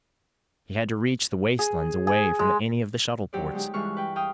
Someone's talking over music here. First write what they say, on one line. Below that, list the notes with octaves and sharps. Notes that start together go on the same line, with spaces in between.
He had to reach the wastelands away from any of the shuttle ports.
G#4
G#4
G#3
D3 F#3 G4 C5 D5
G#3 D#4 G4
G2 E3 G#3 F#4 C#6 F6
B4 G5
F5 G5 D#6